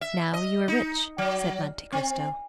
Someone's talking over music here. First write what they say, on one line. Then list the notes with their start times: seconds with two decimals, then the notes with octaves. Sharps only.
"Now you are rich," said Monte Cristo.
0.01 E5
0.33 D#5
0.68 D#4
1.18 F#3
1.92 C4